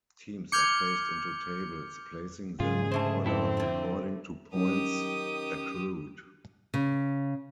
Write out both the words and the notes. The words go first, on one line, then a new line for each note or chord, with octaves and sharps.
Teams are placed into tables, placing them in order according to points accrued.
D6 F6 G6 G#6 C#7
G#2 C#3 F4 G#4
D3 A3 C5 A5
F2 C4 E4 A4
D3 A3
D#3 F#3 C#4 G4 D#6
C#3